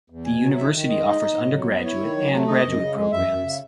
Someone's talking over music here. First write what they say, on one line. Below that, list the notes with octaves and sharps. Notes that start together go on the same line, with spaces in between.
The university offers undergraduate, and graduate programs.
E2
B2 G#5
F#3
D#3 E5
D#3
G#3 D#5
D#4
D#4
A2
F#3
B3
E4 C#5
D#3
F#3
A3
D#4 D#5
F#2
C#3
G#3
F#2 E5
F#2
C#3